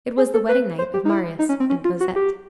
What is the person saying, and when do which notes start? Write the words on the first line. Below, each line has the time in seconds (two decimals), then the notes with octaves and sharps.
It was the wedding night of Marius and Cosette.
0.18 G#4
0.34 A4
0.49 B4
0.79 C5
0.94 G4
1.05 D#4
1.09 E4
1.39 D#4
1.49 C#4
1.60 C4
1.70 C#4
1.85 F4
2.00 F#4
2.16 G4